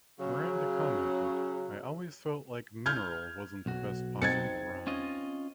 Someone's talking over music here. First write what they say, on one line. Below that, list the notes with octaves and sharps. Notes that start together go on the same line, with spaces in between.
Miranda commented: I always felt like 'mineral' wasn't the best possible rhyme.
C#3 F#3
F6 G6 G#6
B1 F#4
C4 D#4 G#6 A6 C#7
C#4 F4 D#5